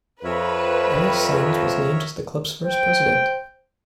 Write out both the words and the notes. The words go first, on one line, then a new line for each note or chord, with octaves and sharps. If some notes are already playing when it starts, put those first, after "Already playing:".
Elias Sanz was named as the club's first president.
F2 A#4 B4 C#5 E5
C5 G5